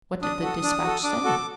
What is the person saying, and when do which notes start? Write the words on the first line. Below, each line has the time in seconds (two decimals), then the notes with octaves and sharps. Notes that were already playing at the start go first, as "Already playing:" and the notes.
What did the despatch say?
0.22 D4 D#6
0.42 F#4 A4
0.63 D4
0.83 F#4 A4
1.04 D4 D6
1.24 F#4 A4